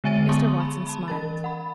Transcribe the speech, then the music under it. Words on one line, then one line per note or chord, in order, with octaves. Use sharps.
Mr. Watson smiled.
D3 G#3 E5 G#5 A6 D#7
B3 G#4 A5 C6 C#6 D#6
B5
A5 B5
E3 A#4 A6
F#5 B5